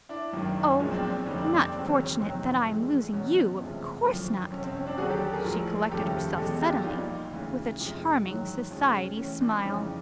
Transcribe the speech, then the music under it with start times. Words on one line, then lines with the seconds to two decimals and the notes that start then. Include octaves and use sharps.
"Oh, not fortunate that I am losing you, of course not," she corrected herself suddenly, with a charming society smile.
0.09 D4 E4
0.33 G#1 F#2 D#3
0.79 B1 A#2 F3 G#3 C#4
0.91 C4 D4
1.03 C4
1.26 F1 F2 D3 G3 C#4 D#4
1.38 C4 D4
1.61 C4 D4
1.72 E1 D#2 C#3 F#3 C4
1.84 C4
1.96 C#4
2.08 C4
2.19 F2 C3 D#3 F#3 C4
2.65 A#1 A2 E3 G#3
3.12 E2 B2 F#3 C#4
3.59 F1 E2 C3 F3 G#3
4.05 G#1 F#2 D3 F3
4.51 G1 F2 C3 C#4
4.64 C4
4.75 C#4
4.86 C4 D4
4.98 D#2 D3 F#3 F#4 G#4
5.09 G4 A4
5.21 G4 A4
5.33 G#4 A#4
5.44 A#1 A2 F3
5.91 F1 D#2 C#3 F3 G4 A4
6.38 E2 B2 G#3 G4 A4
6.61 F4 G4
6.84 A#1 A#2 G3 D#4 F4
7.31 D2 C#3 E3
7.78 F1 F2 C3 F3 G#3
8.24 A1 G#2 D#3 F#3
8.71 F2 C3 F3 G#3 C#4
8.94 C#4
9.17 A1 A2 E3 C#4
9.40 C4 D4
9.63 F2 C#3 E3 G3 C#4 D#4